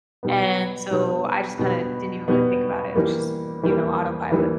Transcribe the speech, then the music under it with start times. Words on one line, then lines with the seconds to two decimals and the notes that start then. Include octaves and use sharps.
And so I just kinda didn't even really think about it. I was just, you know, autopilot.
0.23 B2 G3 B3
0.91 B2 G3 B3
1.59 B2 G3 B3
2.28 B2 G3 B3
2.95 E3 G3 A#3
3.63 E3 G3 A#3
4.32 E3 G3 A#3